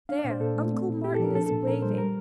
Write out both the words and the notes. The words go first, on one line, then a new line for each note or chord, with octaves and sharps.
There, Uncle Martin is waving.
D4 F5
D5
A#2
C5
A#2 A4
A3
C4
A#2
E4 G4
F3 A4
A#4
D4 A4
A4
A#2
A#2 A#4
G3 C5
G3 A#4